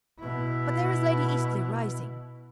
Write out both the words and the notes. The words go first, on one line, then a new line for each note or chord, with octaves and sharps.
But there is Lady Eastleigh rising.
B2 E4